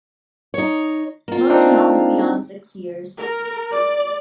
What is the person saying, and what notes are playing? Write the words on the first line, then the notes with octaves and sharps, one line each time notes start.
Most do not live beyond six years.
D#4 C#5
A#3 F4
C4 D4 D#4
A#4
D5